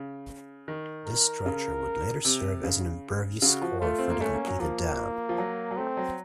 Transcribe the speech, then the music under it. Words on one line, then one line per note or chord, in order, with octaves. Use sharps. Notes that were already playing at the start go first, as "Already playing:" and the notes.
This structure would later serve as an impervious core for the completed dam.
Already playing: C#3
D#3
A#4
C#3
C3
C#3
C#3 F#4
F3
A3 F4
C4
A#3
A3 C#4
A#3
F#3
F3 A#3
F3
F#3
F#3
A3 C4
F#3